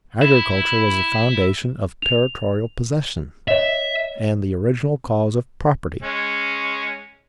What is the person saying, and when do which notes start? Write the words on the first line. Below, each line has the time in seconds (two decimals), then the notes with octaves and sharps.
Agriculture was the foundation of territorial possession, and the original cause of property.
0.22 E4
2.02 F7
3.48 C#5 D#5 E5
6.02 G#3 C#4